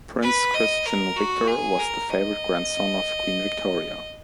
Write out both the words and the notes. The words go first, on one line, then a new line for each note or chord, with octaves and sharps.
Prince Christian Victor was the favourite grandson of Queen Victoria.
B4
D#5
A#4
F#4
G#4
A#4
D#5